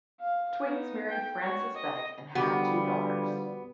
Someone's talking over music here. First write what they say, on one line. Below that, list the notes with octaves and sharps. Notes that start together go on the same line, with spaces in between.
Twaits married Frances Begg and had two daughters.
F5
B3 D#4
G5
F#4 C#5
D#5
D3 F3 G3 B3 F#4 G4 D6